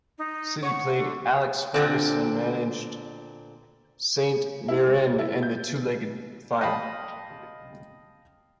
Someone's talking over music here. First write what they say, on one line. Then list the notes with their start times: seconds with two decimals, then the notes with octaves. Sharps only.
City played Alex Ferguson managed Saint Mirren in the two-legged final.
0.18 D#4
0.63 C#5 F#5
0.96 D3
1.74 A#2 D3 C4
4.68 E4
4.86 G#3
5.19 E4
5.43 G6
6.61 D#5 F5 G5 A5 B5